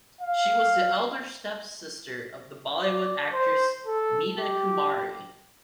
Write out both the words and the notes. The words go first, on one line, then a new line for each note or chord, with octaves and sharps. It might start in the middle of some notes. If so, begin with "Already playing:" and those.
She was the elder step-sister of the Bollywood actress Meena Kumari.
F5
D5
C5
A4
G4